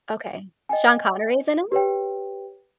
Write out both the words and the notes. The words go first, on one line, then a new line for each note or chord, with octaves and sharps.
Okay, Sean Connery’s in it?
D#5 G5 G#5
G4 B4 C#5 G5